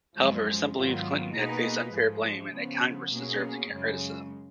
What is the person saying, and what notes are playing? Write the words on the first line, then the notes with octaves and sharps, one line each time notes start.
However, some believed Clinton had faced unfair blame, and that Congress deserved the criticism.
F#2 F3 G#3
G#2 D#3 F#3 B3 F4
B2 A#3 D#4 G#4 B4
G#2 F3 G#3
C#3 F3 B3
B2 A#3 C#4 G#4
F#2 C#3 G#3